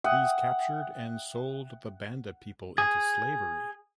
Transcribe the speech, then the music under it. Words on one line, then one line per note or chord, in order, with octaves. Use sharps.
These captured and sold the Banda people into slavery.
E5 F#5 G5 D#6
G#4